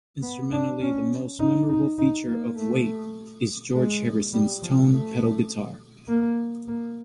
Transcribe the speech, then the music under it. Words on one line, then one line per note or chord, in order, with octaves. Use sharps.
Instrumentally, the most memorable feature of "Wait" is George Harrison's tone pedal guitar.
B3
D4
C#4
D#4
D#4
D#4
A#3
A3
G#3
G3
F3
A3
A#3
A#3